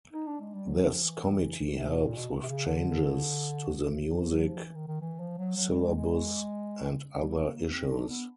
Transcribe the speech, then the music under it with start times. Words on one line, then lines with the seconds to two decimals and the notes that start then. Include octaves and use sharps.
This committee helps with changes to the music syllabus and other issues.
0.13 D#4
0.27 D4
0.40 G#3
0.54 G3
0.67 F#3
0.85 F3
1.03 E3
1.75 C3
1.90 B2
2.03 A#2
2.16 B2
2.43 C3
2.49 C#3
2.67 D3
4.11 F3
4.29 F#3
4.47 F3
4.61 E3
4.75 D#3
4.88 D#3
5.01 E3
5.20 F3
5.38 F#3
5.57 F#3
5.70 G3
5.83 G#3
5.97 G#3
7.19 G3
7.37 A#3
7.55 A#3
7.73 C4
7.91 D4
8.09 B3